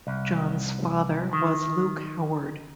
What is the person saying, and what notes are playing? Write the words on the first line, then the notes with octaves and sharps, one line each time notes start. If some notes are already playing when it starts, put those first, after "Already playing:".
John's father was Luke Howard.
C2
D#3